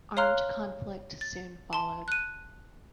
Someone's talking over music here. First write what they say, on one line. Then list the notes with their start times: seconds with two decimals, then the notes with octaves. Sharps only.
Armed conflict soon followed.
0.17 C#5 F5 A#5 C6 F6 F#6
1.21 A6
1.73 A5 C6
2.08 F#6 D#7